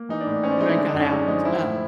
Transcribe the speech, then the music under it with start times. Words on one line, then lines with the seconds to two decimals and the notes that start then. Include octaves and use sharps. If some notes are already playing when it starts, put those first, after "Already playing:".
Then I got out, uh,
Already playing: A#3
0.09 E3 D#4
0.20 D4
0.26 A2
0.32 D4
0.43 C4 C#4
0.51 D4
0.60 G#3 D#4
0.68 E4
0.77 D3 D4
0.89 D#4
0.94 F#2
1.00 C#4
1.11 G#3 D4
1.28 F3 D#4
1.44 F3 E4
1.62 A2